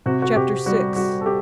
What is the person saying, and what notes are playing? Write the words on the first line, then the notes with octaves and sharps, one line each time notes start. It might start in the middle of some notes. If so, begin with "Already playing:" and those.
Chapter VI.
C3 F#4
F#4
C3 G4
G3 F#4
G3 F#4
A4
G4